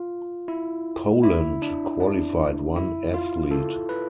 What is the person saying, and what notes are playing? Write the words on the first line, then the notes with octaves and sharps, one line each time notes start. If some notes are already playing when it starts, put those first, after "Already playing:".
Poland qualified one athlete.
Already playing: F4
E4
E4
D4
D4
E4
F4
A4
B4